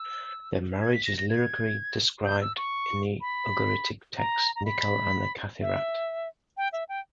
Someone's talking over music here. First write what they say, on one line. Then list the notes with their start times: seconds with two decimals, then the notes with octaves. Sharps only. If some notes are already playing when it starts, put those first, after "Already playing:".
Their marriage is lyrically described in the Ugaritic text "Nikkal and the Kathirat".
Already playing: E6
0.81 G#6
0.93 B6
1.05 A#6
1.17 A#6
1.30 G#6
2.25 G6
2.41 E6
2.57 C#6
3.21 B5
4.18 A#5
4.56 A#5
4.65 B5
5.61 E5
6.57 G5
6.73 E5
6.89 G5